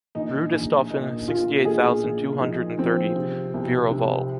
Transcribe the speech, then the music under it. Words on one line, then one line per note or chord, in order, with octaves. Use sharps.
Rue du Stauffen, sixty-eight thousand two hundred and thirty, Wihr-au-Val.
A#1 D#4
A#1
A#2 D#4
A#2 F4
A#1 G#4
A#1
F3 D#4
F3 C4
C3
C2
C3